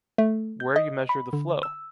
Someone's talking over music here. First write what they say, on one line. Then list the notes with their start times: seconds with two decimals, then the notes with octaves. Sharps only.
Where you measure the flow.
0.18 A3
0.60 G6
0.76 D#5
1.09 B5
1.33 D3
1.63 E6